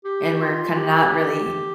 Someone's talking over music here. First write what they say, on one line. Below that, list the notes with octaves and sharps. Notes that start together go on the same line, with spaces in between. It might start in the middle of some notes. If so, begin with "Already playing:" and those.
and we're kinda not really
G4
F4
G4